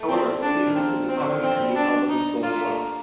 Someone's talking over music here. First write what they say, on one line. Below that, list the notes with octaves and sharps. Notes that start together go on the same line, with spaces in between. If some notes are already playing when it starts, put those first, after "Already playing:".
However, the music did the talking and the album sold well.
Already playing: A3
G3 C4
D4
D#3
F3 C4
C4
D3
D#3
F3 C4
G3
D4
D#4
A#3 F4
A3
A#3